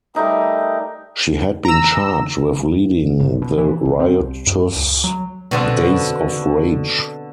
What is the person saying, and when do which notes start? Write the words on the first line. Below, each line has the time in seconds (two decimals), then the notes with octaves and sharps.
She had been charged with leading the riotous "Days of Rage".
0.15 G3 A3 D#4 A#4
1.65 A#5 E6
3.20 G1
3.42 B2
3.58 E3
3.85 B1
3.99 C4
4.19 C2
4.47 F#2
4.76 C#2
5.04 F#3
5.51 B2 D3 C4